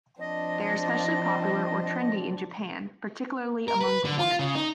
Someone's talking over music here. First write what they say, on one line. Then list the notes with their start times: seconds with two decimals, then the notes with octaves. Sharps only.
They are especially popular or trendy in Japan, particularly among women.
0.20 F3 C4 D4 D#5
3.68 A#4
3.81 B4
4.04 D3
4.18 F4
4.39 C#3
4.55 D#4